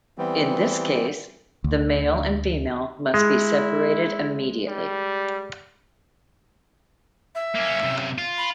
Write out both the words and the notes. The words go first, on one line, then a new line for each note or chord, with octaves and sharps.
In this case, the male and female must be separated immediately.
E3 G3 B3 C4
D2
G#3 E4
G3
E5
A#3 C#4
F#2 C3
F4
B5